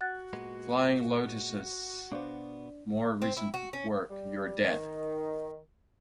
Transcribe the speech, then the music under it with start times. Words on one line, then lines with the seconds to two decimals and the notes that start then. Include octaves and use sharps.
Flying Lotus's more recent work, You're Dead!
0.01 F#4 F#5 F#6 A6
0.33 A#2 G#3 B3
2.12 B2 B3 D4 C5 D5 F5
3.22 C4
3.37 E4
3.54 F#4
3.73 C#4
4.10 G3
4.62 D#3